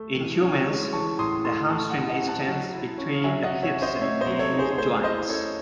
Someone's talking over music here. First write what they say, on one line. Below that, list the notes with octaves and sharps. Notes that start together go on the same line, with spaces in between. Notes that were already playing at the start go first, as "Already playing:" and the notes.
In humans, the hamstring extends between the hip and knee joints.
Already playing: A3
E3
C#4
G#3
E3 A5 C#6
A2 C6 D#6
A3 C6 D#6
A3 A5 C#6
F#5 A5
E4
D#5 F#5
C4
F#5 A5
F#3
E4
C#4
F#3 E5 G#5
D#5 F#5
C3
C#5 E5
C#4
C5 D#5
C4 C#5 E5
C5 D#5
F#3
A4 C#5
D#4
G#4 C5
A3 G#4 C5
E4 C5 D#5
C#4 A4 C#5